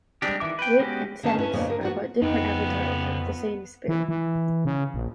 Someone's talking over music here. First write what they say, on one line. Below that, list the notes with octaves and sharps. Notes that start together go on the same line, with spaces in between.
Wit and sense are but different avatars of the same spirit.
G3 G#3 C4 D4 G4
D#3 E3 E5 D6
B4 G5
G#3 B3 C#4 F#4 G4
D3 D#3 B3 C#4 A5
C#4 E4 B4
F2 A#2 C#3 B3 D4
D3 A#4
F3 B3 F#4
F2 C#3 B3 D#4 G5
E3
E3
C#3
A#1